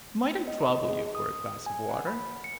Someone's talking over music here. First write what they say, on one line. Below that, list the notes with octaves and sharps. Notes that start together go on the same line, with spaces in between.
"Might I trouble you for a glass of water?"
D#5
D#5
G#4
D#6
G#5
F#5
B5
C#7